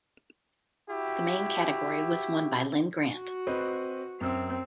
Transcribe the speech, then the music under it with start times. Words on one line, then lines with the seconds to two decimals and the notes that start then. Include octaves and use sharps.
The main category was won by Linn Grant.
0.88 E4 F#4 G4
3.14 F#4
3.47 C4 B4 D#5
4.21 F#2 C4 E6